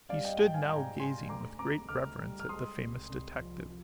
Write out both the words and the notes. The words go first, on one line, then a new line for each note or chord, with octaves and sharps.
He stood now gazing with great reverence at the famous detective.
G3 D5 F5
D#5 G5
G#2 D#5 G5
F5 G#5
G#2 G5 A#5
G#2 G#5 C6
D2 A#5 D6
C3 A#5 D6
D2 D6 F6
G3
F6
G#3 C6 D#6
C2
C2
F3
F3